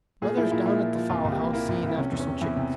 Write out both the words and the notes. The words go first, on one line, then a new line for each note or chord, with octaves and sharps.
Mother's down at the fowl-house seeing after some chickens.
A#2 G#4
F3 E4
A#2 E4
A#2 E4
F3
F3
C2 F4
C2
G4
A#3
A#3 E4
C2
C2
E4
C3 C#4
E2
C#4
C3
E2 E4
C3